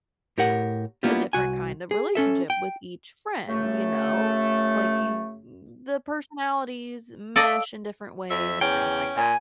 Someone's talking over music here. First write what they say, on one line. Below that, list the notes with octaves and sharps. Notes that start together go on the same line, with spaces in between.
a different kind of relationship with each friend, you know? Like, you the personalities mesh in different ways and things like that.
A2 G4 A#4 F#5
A#3 B3 D4 E4 F4 G4
C2 F#4 G#5
G#4
C#4 A4 E5
G5
F#2 C#3 A3
A4 D5 D#5 F5 E6 D7
F2 E5
E2 C#4 G5
A#2 G#5